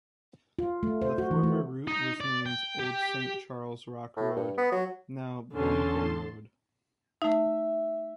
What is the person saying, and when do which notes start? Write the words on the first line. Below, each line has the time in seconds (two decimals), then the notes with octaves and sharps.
The former route was named Old Saint Charles Rock Road, now Boenker Road.
0.59 F4
0.83 A3
1.02 C5
1.18 F#4
1.31 E3
1.43 A3
1.88 D#4
2.21 D5
2.46 G5
2.79 G4
4.17 A2
4.37 G2
4.58 B3
4.72 F#3
5.53 E2 D3 C#4 A5 C6
7.22 A3 D#4 E5